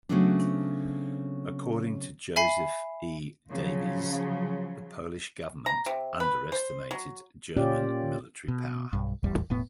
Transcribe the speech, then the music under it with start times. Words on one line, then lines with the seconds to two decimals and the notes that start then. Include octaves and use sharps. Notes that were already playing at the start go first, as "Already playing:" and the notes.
According to Joseph E. Davies, the Polish government underestimated German military power.
0.09 C#3 F#3 A3 B3 C4 D4
2.36 E5 G#5 B5 C7
3.50 C#3 F3 F#3
5.66 A#5
5.86 C3
6.20 B4
6.52 C5
6.91 F#3
7.57 A#2 C#4 F4 G4 D5
8.48 B2
8.93 B1 G2
9.24 D#1 A1 E2 G3
9.50 E1 A2 B3